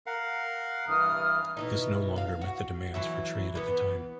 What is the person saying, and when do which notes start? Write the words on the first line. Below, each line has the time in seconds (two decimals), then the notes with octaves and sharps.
This no longer met the demands for trade at the time.
0.06 A#4 F5 F#5
0.88 G2 E3 D#6 F6
1.57 B2 E3 D#4
2.16 E2 F5
2.41 F#4
2.94 E3 F#3 E4
3.55 E3 B3